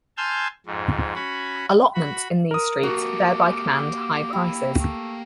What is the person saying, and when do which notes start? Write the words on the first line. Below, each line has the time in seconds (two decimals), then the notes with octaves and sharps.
Allotments in these streets thereby command high prices.
0.17 G#5 A5 C6 E6 F6 G6
0.66 F2 G#2
1.15 C#4 F#4 B5
1.94 F#4 B5
2.51 A#4 D#6
2.83 A#3 F#4 G4 A4
4.33 E4 G4
4.80 A3